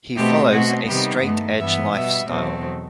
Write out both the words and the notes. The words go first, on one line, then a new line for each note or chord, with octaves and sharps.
He follows a straight edge lifestyle.
B2 A3 C4 G4
B2 A3 C4 F#4
C3 D#3 G3 B3 G4
G2 D#3 A3
G2 E3 B3 E5
B2 G3 B3 E5
E2 B2 F#3 A3 C4